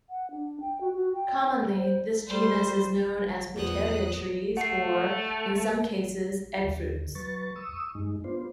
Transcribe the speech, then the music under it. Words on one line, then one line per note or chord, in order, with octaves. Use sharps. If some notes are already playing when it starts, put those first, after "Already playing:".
Commonly, this genus is known as pouteria trees or, in some cases, eggfruits.
F#5
D4
G5
F#4
F#4
G5
C5
G3 C5
E2 A#2 F3 B3 D#6 F#6
A3 F#5 C7
D#2 D3
F#3 B4 C#6 A6
C#6 D#6 E6
G2 G#3 D#4
B3 D4 F4 C5